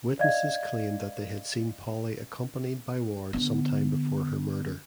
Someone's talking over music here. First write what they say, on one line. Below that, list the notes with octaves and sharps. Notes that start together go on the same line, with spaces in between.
Witnesses claimed that they had seen Polly accompanied by Ward sometime before her murder.
D5 D#5 F5 G#6
D3 B3